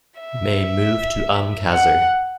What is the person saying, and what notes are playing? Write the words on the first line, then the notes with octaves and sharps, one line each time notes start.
May move to Umm Qasr.
E5
F#5